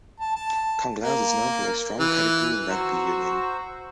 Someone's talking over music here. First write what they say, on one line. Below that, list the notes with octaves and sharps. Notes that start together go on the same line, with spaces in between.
Clongowes is known for their strong pedigree in rugby union.
A5
A5
A#3
E3
F#4 C5 A#5 C#6 E6